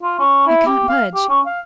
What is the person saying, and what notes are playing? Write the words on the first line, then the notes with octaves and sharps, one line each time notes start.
"I can't budge."
F4
C#4
E4
G4
F5
G4
C#4
F5